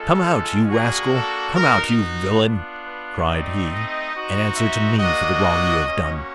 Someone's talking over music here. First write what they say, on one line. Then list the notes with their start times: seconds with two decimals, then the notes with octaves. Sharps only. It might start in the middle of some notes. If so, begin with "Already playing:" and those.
'Come out, you rascal! come out, you villain!' cried he, 'and answer to me for the wrong you have done.
Already playing: G#3 C#4 F4 A4
0.70 A#3 D4 F#4 G#4
1.13 A4
1.55 B3 D#4 F#4 A#4
2.42 B3 D4 F4
2.85 B4
3.27 A3 C4 D#4 D5
3.70 D#5
4.13 C4 D#4 F#4
4.56 E5
4.99 A#3 D4 F#4 D#5
5.85 A#3 C#4 F#4